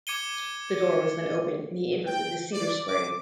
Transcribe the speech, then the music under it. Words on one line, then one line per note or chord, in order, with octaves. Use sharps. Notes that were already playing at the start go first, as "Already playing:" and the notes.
The door was then opened and he entered with his cedar spray.
D6 G#6 C#7 D#7 G7
G5
D5
D6